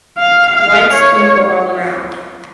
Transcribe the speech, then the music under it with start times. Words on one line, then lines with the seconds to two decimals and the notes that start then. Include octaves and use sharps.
Lights twinkle all around.
0.18 F5
0.56 F5
0.93 C#5